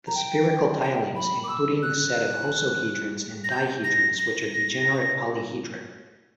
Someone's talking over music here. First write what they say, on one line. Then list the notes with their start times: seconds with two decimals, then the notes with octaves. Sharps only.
The spherical tilings including the set of hosohedrons and dihedrons which are degenerate polyhedra.
0.07 A#5
0.15 G5
0.82 G5
1.15 B5
1.44 D6
1.49 E6
1.83 F#6
3.44 A#6
3.50 G6
3.84 A#6
4.17 A#6